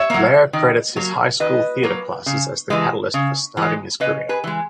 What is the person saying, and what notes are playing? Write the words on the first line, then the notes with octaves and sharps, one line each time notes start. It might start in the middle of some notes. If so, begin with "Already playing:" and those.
Lehre credits his high school theatre classes as the catalyst for starting his career.
Already playing: C#5 E5
F#3 A#3
D#3
F#3 A#3
D#3 B4 D#5
F#3 A#3
C#3
E3 G#3
C#3
E3 G#3
C#3 B4 D#5
G#4 B4
E3 G#3